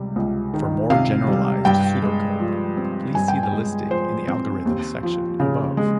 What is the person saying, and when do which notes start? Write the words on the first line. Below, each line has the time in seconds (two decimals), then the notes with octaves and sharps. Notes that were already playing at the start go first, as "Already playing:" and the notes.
For more generalized pseudocode, please see the listing in the Algorithm section above.
Already playing: C#2 C3 G3
0.16 C#2
0.54 D#3
0.90 C3 F5
1.28 G3
1.65 G2 G5
2.02 G#3
2.40 F3
2.77 C4
3.15 G2 G#5
3.28 G5
3.43 G#5
3.53 G#3
3.90 F3 C5
4.28 C4
4.65 D#2
5.03 F3
5.40 C#3
5.77 G#3